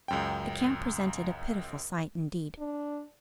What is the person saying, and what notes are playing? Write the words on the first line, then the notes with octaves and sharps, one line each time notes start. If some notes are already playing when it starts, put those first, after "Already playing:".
The camp presented a pitiful sight, indeed.
C#2 F#2 G5
D4